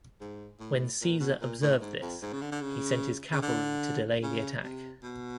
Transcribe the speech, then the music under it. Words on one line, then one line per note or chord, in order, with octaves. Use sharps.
When Caesar observed this, he sent his cavalry to delay the attack.
G#2
A2
A#2
B2
A#2
A2
G#2
F2
G#2
C#3
D3
D3
C#3
C#3
D3
C#3
C3
B2